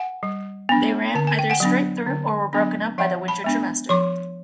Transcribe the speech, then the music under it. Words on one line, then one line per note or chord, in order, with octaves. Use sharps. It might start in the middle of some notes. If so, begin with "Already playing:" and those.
They ran either straight through or were broken up by the winter trimester.
Already playing: F#5 G#5
G3
B3 D4
D3 A5
G#5
G5
F#5 G#5
F#3 B3 D4
D3
F#3 B3 D4
F3 E5 F#5
A5 B5
G#3 B3 D4
F3 C6 D6